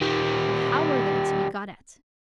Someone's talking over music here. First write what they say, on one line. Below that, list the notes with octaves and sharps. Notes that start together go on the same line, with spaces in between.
But how were they to be got at?
D#3 G3